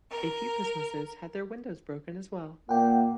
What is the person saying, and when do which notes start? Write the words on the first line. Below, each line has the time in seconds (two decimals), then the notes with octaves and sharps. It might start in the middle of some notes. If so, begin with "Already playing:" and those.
A few businesses had their windows broken as well.
0.10 A#4
2.69 A#2 A#3 F#5 G5